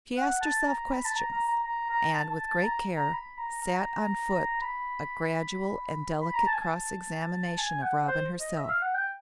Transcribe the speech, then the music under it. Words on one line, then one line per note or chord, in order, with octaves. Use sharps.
She asked herself questions and with great care sat on foot a gradual and delicate cross-examination of Robin herself.
F#5
A5
A#5
B5
A5
A#5
A#5
A#5
A#5
A#5
A5
A5
A5
A#5
A#5
B5
A#5
A#5
B5
B5
A#5
A5
G#5
A5
G#5
F#5
C5
D#5
E5
F5
F#5
G5